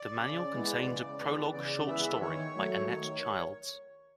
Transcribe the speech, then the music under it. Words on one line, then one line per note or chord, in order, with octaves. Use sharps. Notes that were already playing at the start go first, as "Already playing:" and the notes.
The manual contains a prologue short story by Annette Childs.
Already playing: D5
C#3
E3 G#3 B3
C#3
E3 G#3 B3
C#3 D5
E3 G#3 B3 E5
D#3 C#5
F#3 A3
D#3